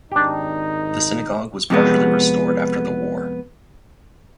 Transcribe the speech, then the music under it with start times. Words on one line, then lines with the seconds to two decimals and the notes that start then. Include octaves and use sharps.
The synagogue was partially restored after the war.
0.12 G#1 D#3 D4 D#4 G4
1.70 F2 C3 G#3 B3